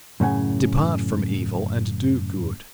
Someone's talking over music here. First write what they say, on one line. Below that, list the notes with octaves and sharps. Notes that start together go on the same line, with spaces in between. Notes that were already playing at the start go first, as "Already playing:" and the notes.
Depart from evil, and do good.
F#2 A2 C#3 F#5 G#5